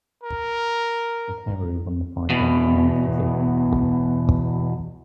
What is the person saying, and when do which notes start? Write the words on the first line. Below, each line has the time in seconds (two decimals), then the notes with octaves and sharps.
Takeru won the fight by unanimous decision.
0.24 A#4
2.30 E2 B2